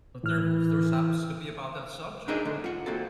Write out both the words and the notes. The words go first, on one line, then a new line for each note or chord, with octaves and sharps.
there has theirs happens to be about that subject, and,
A2 E3 F6
D4 D#4 G#4 A#4 E5
D3 A3
F4 F#5
A#3 C4 F#4 A4